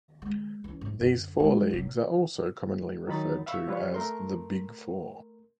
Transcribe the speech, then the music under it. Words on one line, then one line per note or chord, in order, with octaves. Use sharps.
These four leagues are also commonly referred to as the "Big Four".
G#3
E3 C#4
G#2
F#2 D3
G#3
F1 F#3
D#3 F#3 D#4 B5 A6
E5 F5 B5 C#6 E6
F3 G3 F4 B4 C#5
A3 A#4 C6